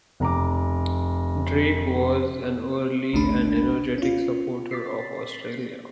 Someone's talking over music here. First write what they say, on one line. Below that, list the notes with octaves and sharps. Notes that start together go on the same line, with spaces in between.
Drake was an early and energetic supporter of Australia.
F1 A#5 D6
A1 D2 A3 D4 B5
C#4 F4
D6 A6 B6 C7